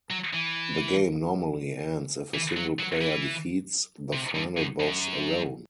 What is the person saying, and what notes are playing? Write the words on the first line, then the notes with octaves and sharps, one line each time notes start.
The game normally ends if a single player defeats the final boss alone.
F#3
E3
E3
F#3
F#3
E3
C3
G2
F#2
F#2